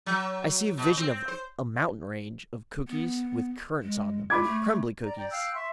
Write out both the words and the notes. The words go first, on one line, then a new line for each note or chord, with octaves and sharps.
I see a vision of a mountain range of cookies with currants on them--crumbly cookies.
F#3
B2
C4
C5
B3
G#3
F4 B5 D6 G#6
A3
D5 A#5
D5 G5 A#5
F5 G5 E6 F#6
E5 C6 C#6